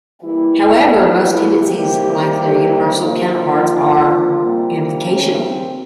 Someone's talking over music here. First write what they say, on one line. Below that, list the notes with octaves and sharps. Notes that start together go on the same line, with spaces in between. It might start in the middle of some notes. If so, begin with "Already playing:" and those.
However, most tendencies, like their universal counterparts, are implicational.
E3 G3 A#3 E4
F4
E4
C3 G3 A#3 G4
C3 F3 A#3 F4
C3 G3 A#3
C#4
C4